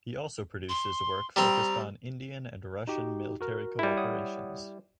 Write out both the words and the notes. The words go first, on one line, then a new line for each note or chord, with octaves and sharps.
He also produced his work focused on Indian and Russian military cooperations.
C6
G3 C4 A#5
D#4 F#4 G4
F#4 A#4
G3 E4
C#5 F#5 D#6